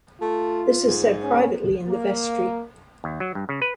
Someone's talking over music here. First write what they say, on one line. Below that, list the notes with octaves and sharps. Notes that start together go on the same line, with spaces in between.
This is said privately in the vestry.
A3 F4
G#2
C#4
A#3
D#2
F#3
G2
C#3
B4